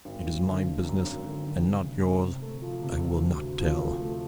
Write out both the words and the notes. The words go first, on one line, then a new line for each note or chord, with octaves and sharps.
"It is my business, and not yours. I will not tell."
G#1
G#1
D3
D3
F#2
G#1
D3
G#1
C3
C3
C3
C3
A3
F3
C3
C3
D2
D2
F3
A3
A3